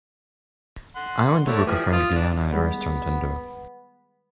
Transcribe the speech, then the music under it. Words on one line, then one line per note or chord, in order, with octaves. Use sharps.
I want to book a French Guiana restaurant indoor.
F#5 C6
A3 D4 E4 C#5
E3 F3 G4 G#4
F4 C6 D#6 F6
D4
D#3 G3 G#3 B3